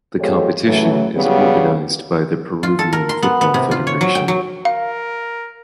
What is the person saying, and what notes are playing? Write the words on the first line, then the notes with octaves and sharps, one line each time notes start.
The competition is organised by the Peruvian Football Federation.
F3 G#3 B3 G4 A4 C#5
A2 C#3 E3 F#3 A3
C#3 F#3 G3 B3
F4
A4
A#4
C6
B3
B3
C3
F4
C#5
F#3
G5
F#3
A#4 F5